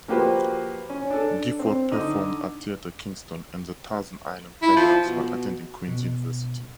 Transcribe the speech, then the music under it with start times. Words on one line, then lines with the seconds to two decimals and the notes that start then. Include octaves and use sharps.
Gifford performed at Theatre Kingston and the Thousand Island Playhouse, while attending Queen's University.
0.08 F3 A#3 F#4 G4 B4 C5
0.90 C#4
1.10 D4 A4
1.59 C4
1.91 D3 D#4
4.62 E4
4.76 F3
5.06 B2
5.88 B2